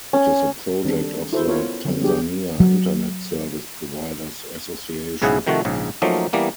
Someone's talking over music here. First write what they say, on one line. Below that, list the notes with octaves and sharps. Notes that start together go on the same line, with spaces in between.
It is a project of the Tanzania Internet Service Providers Association.
C#4
D#3 G3 C4 D4
A4
E4 F#4 A4 C5
B3 C#4 E4 F4 A#4 C#5
D3 F#3 G3 B3
F#3 G3 D4 G4 G#4
F#3
B1 G#2 C#3 E4 G#4 F#5
C3 D#3 F3 A3 F#4
A#1 G#2 C#3
F3 F#3 A3 A#3 C#4 D#4
E3 G3 A#3 B3